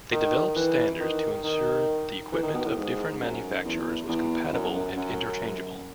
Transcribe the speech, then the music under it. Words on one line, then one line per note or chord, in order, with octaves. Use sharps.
They developed standards to ensure the equipment of different manufacturers was compatible and interchangeable.
D#3
E3
D#3
D#3
E3
D#3
B2
A2
G#2
F#2
E2
E2
F#2
F#2
F#2